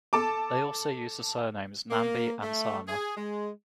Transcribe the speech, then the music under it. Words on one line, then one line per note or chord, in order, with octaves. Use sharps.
They also use the surnames Nambi and Sarma.
A4 A5 D6
A#3
A3
G#4
G#3